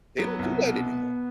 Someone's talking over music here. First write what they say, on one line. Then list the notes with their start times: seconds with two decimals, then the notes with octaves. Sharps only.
They don't do that anymore.
0.18 F#3 B3
0.39 C2
0.60 B2